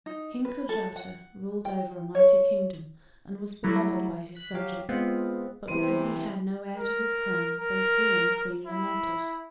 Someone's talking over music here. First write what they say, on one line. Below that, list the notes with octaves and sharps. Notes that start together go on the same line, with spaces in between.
King Kojata ruled over a mighty kingdom, and was beloved by his subjects; but because he had no heir to his crown, both he and the Queen lamented.
D#4
B4
A4
F#5
G5
C#5
F#3 G3 A3 E4 F#5 A#5
F#6 B6
F#3 G4 F5
G#3 B3 C4 F4
C3 E3 B3 C4 C5
A#4
A#4
E4